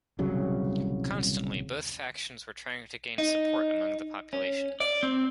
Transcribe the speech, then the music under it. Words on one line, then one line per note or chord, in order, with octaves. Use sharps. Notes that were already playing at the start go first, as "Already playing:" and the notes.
Constantly, both factions were trying to gain support among the population.
D#1 C2 C#3 F#3
D#4
C#4
D5
C4